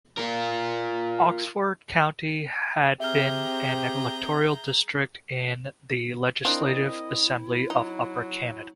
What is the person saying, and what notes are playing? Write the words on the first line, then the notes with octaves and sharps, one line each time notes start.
Oxford County had been an electoral district in the Legislative Assembly of Upper Canada.
F4 A#4
C4 G4 G#4 E5 A#5 F6 G6
C4 D4 E4 F4 A#4 D#5
F#3 D#4